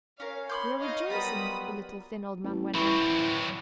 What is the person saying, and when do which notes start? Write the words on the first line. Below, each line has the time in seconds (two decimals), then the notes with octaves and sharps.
"We are rejoicing," the little, thin old man went on.
0.20 C#4 A#4 C#5 F5
0.49 B5 C6 D6 G6
0.80 D#4 D#5 F5
1.10 F#3 G3 B3 F4 A#4 B5 D#6
2.44 A1
2.75 E3 F#3 C4 B5 C#6